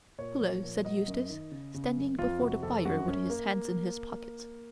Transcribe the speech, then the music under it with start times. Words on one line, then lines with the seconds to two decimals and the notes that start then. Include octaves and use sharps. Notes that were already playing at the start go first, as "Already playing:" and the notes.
"Hullo!" said Eustace, standing before the fire with his hands in his pockets.
0.18 A#2 C#5
0.40 F3
0.63 A#2
0.85 F#3 D#5
1.08 F#2
1.30 D#3
1.51 C#3
1.74 C#3
1.97 F#2
2.19 F2 F4
2.41 C3 F#4
2.63 F2 A4
2.85 F#2 F#4
3.08 F#2 C#4
3.30 A#3